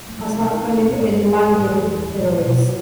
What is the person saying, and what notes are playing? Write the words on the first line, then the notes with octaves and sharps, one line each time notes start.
Asad Khalil, a Libyan terrorist.
F#3 A3
E3 G3
C3 A3
D#3 D#4
D#3 E4
E3 D#4
B2 C4
A2 A3
G2 G3
A2 E3
F#2
E2
A2
B2 F#3
D#3